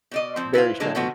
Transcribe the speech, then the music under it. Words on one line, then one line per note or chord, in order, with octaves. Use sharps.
very strange.
B2 D5 D#5
F3 C4
E4 B4 C5 F5
D3 F#3 G#3 A#3 D4
B2 D3 F3 B3 F#4